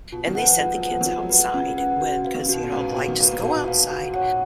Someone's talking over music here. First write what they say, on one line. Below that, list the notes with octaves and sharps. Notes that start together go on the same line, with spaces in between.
and they sent the kids outside when 'cause, you know, like "Just go outside,
B2 F4
D#3
B4 F#5
F3
G#3 F4
F#3
B4 F#5
F3
D#3
F3 F4
G#3
F#3
B4 F#5
G#3
C#3 F4
B4 F#5
F#4
B4 F5
D#3
C#3
B2 F#4
A#2
G#2 B4 F5
A#2 F#4
D#3
G#2 B4 F5
A#2
B2 F#4
B4 F5
F#4
C#5 F#5